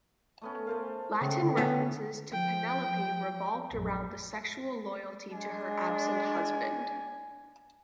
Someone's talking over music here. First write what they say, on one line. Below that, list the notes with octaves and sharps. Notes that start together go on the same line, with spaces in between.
Latin references to Penelope revolved around the sexual loyalty to her absent husband.
A3 B3 C#4
A3 A#4 C5 F5
C#3 A3 F#5 G5
D3
B3 C#4
F3 G5
A#1 F#2
G#3 D4 G#5